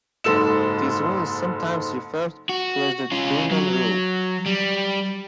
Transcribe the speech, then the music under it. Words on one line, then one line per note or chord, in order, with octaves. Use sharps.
This rule is sometimes referred to as the Durnan Rule.
F#1 G#2 A4 E6 E7
F#4
C#4 F4
F#3
G3